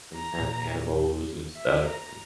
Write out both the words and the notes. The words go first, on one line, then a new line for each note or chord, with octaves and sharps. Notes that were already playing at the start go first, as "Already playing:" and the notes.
some kind of animals and stuff and
A#5
A#2
E5
A#5